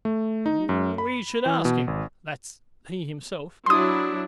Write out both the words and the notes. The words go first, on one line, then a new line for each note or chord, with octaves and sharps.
"We should ask him... that's he himself?"...
A3
D#4
F#2
B5
E3
B2
G#1
F#3 D4 E4 C6 D#6